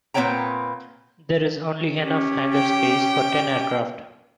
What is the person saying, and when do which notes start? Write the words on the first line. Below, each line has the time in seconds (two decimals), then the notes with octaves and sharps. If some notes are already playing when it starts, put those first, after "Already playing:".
There is only enough hangar space for ten aircraft.
0.14 A#2 B3 C4 C#5 G5 A#5
1.99 C#4 G4
2.54 G5